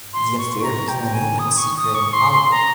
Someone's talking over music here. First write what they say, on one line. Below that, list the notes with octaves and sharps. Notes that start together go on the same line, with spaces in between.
The affair became an open secret in Hollywood.
C6
C#6
A#5
G5
G#5
D#6
C#6
D#6
C#6
C6
C6
A#5